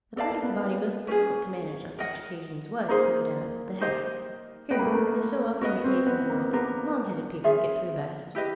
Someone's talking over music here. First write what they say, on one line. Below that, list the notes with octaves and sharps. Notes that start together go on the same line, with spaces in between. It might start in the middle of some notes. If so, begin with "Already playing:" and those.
The part of the body most difficult to manage on such occasions was, no doubt, the head; here, as is so often the case in the world, long-headed people get through best.
B3 A4 D5 F5 A5
A#3
B3
C#4 F4 G#4
A#4 D#5 F#5
A#3 D#4 G#4 C5
D#4 G4 C5 D#5
B3 B4 D#5 G5 B5
A#3
A3
A#3
B3 F#4 A#4 D#5
C4
B3
A#3
B3 D4 F4 A#4
F4 G#4 C#5 E5
E4 G4 B4 D#5